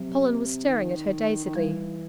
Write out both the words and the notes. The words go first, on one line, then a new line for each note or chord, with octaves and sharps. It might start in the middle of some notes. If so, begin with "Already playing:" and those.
Colin was staring at her dazedly.
Already playing: C3 F#3
D#3
D#3
E3 G3